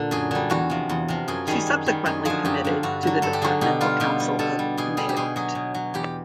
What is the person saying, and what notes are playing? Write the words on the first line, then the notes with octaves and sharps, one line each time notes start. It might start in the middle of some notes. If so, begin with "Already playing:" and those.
She subsequently committed to the Departmental council of Mayotte.
Already playing: A#2 D3
F#2 G#4
D3 G3
E2 F#4
C3 F3
E2
C3 F3
F#2 G#4
D#3 G3 G#4
F#2
D#3 G3
F#2 G#4
D3 F3 G#4
F#2 G4
D3 F3
G2 F#4
D3 F#3
G2 A4
G4
D3 F#3 G#4
B2 G4
G3 F4
B2 G4
G3
B2 A4
G3
B2 G#4
G3 G#4
G4
B2 G#4
F#3 G#4
B2
F#3
E2 G4